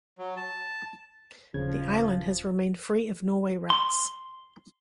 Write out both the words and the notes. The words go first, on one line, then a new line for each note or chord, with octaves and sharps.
The island has remained free of Norway rats.
F#3
A5
D#1 C#3 F3 G#6
C6